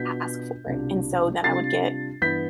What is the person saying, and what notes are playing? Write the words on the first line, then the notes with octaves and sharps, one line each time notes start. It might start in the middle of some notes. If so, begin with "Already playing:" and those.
ask for it, and so then I would get
Already playing: B2 B3 D4 F4 G6 B6
C2 B2 G3 D4 F4
C3 G3 D4 F4 A6 C7
G2 E3 B3 E4 G6 B6